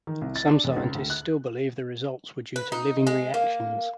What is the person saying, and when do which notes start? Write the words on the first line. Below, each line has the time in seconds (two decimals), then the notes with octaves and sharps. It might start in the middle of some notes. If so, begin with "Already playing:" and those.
Some scientists still believe the results were due to living reactions.
0.07 D#3
0.21 C2
0.36 A6
0.47 D4
0.64 F1
0.76 C#2
0.95 D2
1.10 F#6
2.56 B4
2.72 D#4
3.07 G#3
3.34 A#3